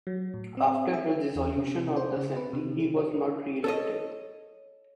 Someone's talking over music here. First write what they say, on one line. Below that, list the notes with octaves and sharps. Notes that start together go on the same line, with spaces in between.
After the dissolution of the assembly he was not re-elected.
F#3
A2
C4
E5
E2
C3
C5
C#3
B4
C3
A4 C#5 D#5